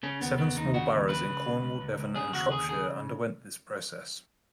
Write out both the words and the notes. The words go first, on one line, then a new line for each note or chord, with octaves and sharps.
Seven small boroughs in Cornwall, Devon and Shropshire underwent this process.
C#3 C#4
D#2 B3
C#3 B3
D#2 D#4
C#3 F#4
D#2
C#3 B4
C#2
C#2
C#2
C#2
C#2
C#3 G#4
D#2 F#4
D#2 G#4
C#3 G#4